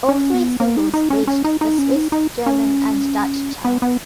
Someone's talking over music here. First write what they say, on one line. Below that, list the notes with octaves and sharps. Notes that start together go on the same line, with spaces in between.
All three singles reached the Swiss German and Dutch charts.
C#4
B3
A#3
D#4
D#4
C#4
C#4
D#4
D#4
C#4
D#4
D#4
C#4
B3
B3